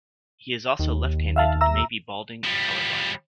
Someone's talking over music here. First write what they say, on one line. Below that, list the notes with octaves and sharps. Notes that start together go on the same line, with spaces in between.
He is also left-handed and may be balding and colorblind.
D#2
E5 F5 A5
E5 A#5 E6
F3 G3